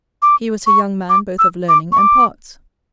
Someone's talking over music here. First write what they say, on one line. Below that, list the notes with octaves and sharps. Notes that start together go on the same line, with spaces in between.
He was a young man both of learning and parts.
D6
C#6
D6
E6
D6
C#6
D6